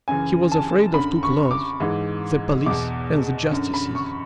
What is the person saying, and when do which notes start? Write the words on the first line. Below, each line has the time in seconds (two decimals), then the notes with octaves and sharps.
He was afraid of two claws--the police and the justices.
0.08 F#2 C#3 E3 G#5
0.52 A5
0.94 F#2 D3 B5
1.23 C#6
1.51 D6
1.80 G#2 E3
2.66 E2 B2 D6
3.52 F#2 D3
3.74 B5
3.95 C#6